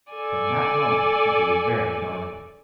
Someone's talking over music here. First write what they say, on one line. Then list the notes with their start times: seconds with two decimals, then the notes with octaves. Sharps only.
From that moment he grew very guarded.
0.12 A4 D5 G#5